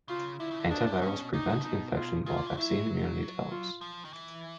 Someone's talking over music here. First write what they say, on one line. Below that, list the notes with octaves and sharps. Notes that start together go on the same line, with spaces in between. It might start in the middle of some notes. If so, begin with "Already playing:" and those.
Antivirals prevent infection while vaccine immunity develops.
C#3 F4
D3 E4
C#3
D3
B2 D4
C3
B2 C#4
A#2 D#4
B2
D#4
F4
C#3 F4
D3
E3
F#3 E4
F4
F3
D#3
E3